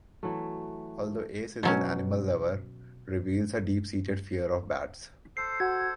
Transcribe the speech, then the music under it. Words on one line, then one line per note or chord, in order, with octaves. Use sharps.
Although Ace is an animal lover, reveals a deep-seated fear of bats.
E3 F#3 A3
B2 F#3 C#4
A4 C5 C7
F#4 F#5 G#6